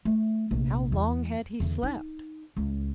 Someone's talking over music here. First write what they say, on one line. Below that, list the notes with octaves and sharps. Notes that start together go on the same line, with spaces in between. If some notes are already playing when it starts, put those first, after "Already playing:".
How long had he slept?
A3
A#1 C3
E2
E2 D3
D#4
C#2